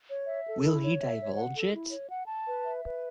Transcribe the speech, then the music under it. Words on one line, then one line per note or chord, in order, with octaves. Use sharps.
Will he divulge it?
C#5
E5
A4
E4
C#5
E5
C#5
F#5
A4
E4
C#5
F#5
A5
B4
E5
B4